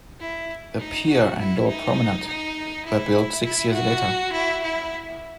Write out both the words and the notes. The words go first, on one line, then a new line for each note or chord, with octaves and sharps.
The pier and lower promenade were built six years later.
E4
D#4
F#4
E4
D#4
D#4
E4
E4
F#4
E4
E4